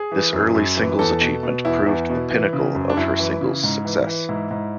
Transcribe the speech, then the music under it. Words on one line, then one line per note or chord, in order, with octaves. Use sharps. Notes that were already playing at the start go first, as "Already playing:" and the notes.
This early singles achievement proved the pinnacle of her singles success.
Already playing: G#4
E3
F#2
F#2
E3
E2 A4
B2
B2
E2 E4
E2
B2
E3
C#3
F#2
D4
F#2 E4
E3
C#3
G#2
E3
E3
G#2 E4
G#2